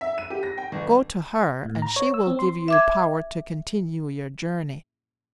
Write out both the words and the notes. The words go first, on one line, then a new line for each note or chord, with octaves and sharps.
Go to her and she will give you power to continue your journey.
E5
D#7
G4
A#6
G5
G1
A2
A#5
C#5
E6
C4
C6
E5 D6 G#6